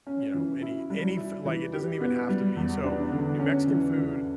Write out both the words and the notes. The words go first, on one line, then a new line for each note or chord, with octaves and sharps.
you know, any any f like, it doesn't even have to be so, New Mexican food
C#4
E3
E4
G3
E4
E3
G4
B3
G3
E2
D4
D3
C#4
E3
E3